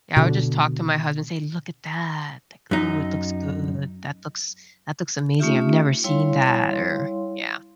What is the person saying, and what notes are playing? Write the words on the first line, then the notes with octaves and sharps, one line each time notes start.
Yeah, I would just talk to my husband, say, "Look at that." Like, "Ooh, it looks good, that looks that looks amazing, I've never seen that," or yeah.
B2 D3
F#2 D#4
A3 C#4 D#4 F4 G4 E5
G3 E4 C#5 F5 C6